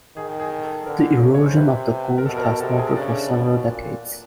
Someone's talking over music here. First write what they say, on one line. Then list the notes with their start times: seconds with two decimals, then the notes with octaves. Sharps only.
The erosion of the coast has noted for several decades.
0.16 D#3 G#4
0.40 G#4
0.63 A4
0.86 D3 A#4
1.21 C#3
1.34 C#5
1.45 C5
1.56 C3 B4
2.18 A#4
2.26 B2 A4
2.37 A#4
2.43 A4
2.60 C3 A4
2.78 G#4
2.96 C#3 D4
3.30 B2
3.65 A#2